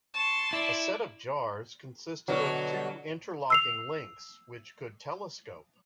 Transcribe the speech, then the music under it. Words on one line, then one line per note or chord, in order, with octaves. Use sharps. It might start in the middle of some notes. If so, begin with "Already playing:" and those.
A set of jars consisted of two interlocking links which could telescope.
A5 C6 C#6
E4 D5
B2 D3 F#3
E6 C7 F7